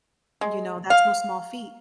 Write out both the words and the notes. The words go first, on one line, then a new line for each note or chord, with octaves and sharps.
you know, that's no small feat.
G#3
F5